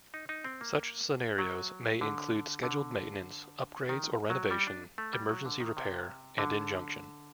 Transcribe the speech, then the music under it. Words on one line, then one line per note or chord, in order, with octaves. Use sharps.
Such scenarios may include scheduled maintenance, upgrades or renovation, emergency repair, and injunction.
D#4
D#4
C4
A#3
F#3
D3
D3
D#3
F#3
G3
D4
A3
G3
F#3
D3
D#3
C3
D3